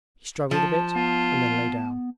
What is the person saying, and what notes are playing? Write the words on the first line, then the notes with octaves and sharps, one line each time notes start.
He struggled a bit and then lay down.
F3 A5
B3 F4